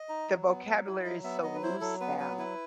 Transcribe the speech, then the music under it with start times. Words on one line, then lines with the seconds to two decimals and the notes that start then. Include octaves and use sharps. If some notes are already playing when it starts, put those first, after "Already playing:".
the vocabulary is so loose now.
Already playing: D#5
0.09 D#4
0.29 F#3
0.48 B3
0.66 F#3
0.86 E4
1.05 F#3 D#5
1.24 B3 E5
1.43 F#3 D#5
1.54 B4
1.63 E4 C5
1.81 F#3 A4
2.00 B3 B4
2.20 F#3 B4
2.39 E4 B4